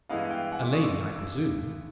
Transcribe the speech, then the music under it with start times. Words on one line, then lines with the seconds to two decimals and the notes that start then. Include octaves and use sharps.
A lady, I presume.
0.09 G2 E3 G#3 B3 E4 D#5 F5
0.31 F5 G5
0.52 F#5 G#5
0.63 C6 D6
0.73 C#6 D#6
0.83 D6 E6
1.15 D6 E6